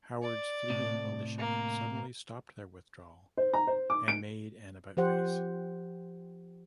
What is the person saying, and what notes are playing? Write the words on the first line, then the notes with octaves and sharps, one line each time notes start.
Howard's "fleeing" militia suddenly stopped their withdrawal and made an about-face.
D5
A2 C3
A#3
C5
A#5
C5
D6
D7
F3 G4 C5 F#5